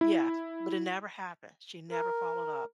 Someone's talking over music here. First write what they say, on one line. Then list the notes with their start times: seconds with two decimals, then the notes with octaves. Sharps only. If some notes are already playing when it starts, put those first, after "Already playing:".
Yeah. But it never happened. She never followed up.
0.01 E4
1.91 A#4